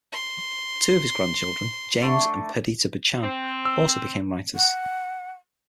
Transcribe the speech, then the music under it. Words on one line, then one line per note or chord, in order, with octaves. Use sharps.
Two of his grandchildren, James and Perdita Buchan, also became writers.
C6
D3 A3
C4
E6
F#5